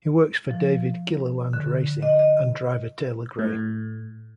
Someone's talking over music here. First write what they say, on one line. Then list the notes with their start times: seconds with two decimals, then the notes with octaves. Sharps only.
He works for David Gilliland Racing and driver Taylor Gray.
0.51 F3
1.53 D3
2.02 D#5
2.19 D#5
3.39 A2